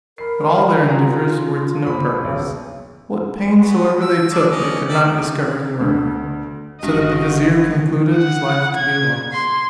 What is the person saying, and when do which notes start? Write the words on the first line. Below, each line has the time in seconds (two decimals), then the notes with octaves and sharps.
But all their endeavours were to no purpose; what pains soever they took they could not discover the murderer; so that the vizier concluded his life to be lost.
0.18 A#4 B5 C7
0.89 F4 F#4 G#4 A#5
1.86 A#1 C5 B5
2.24 B1 E2 C#3
3.60 B3 F#4
4.01 E6
4.31 D4
4.51 C#4 D5 D#5
4.89 D5 E5 G5
5.81 D2
6.83 G#1 G2 F#4 D#5
8.15 F#5
8.77 G#6
9.33 C6